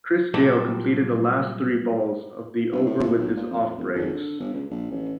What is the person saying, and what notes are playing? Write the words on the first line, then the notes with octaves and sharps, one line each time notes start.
Chris Gayle completed the last three balls of the over with his off-breaks.
A#2 F#3 G3 A3 C4 A4
G1
A2
B1
A#2
F2
E1
G#1
D3
G1
C#2
A#1
A1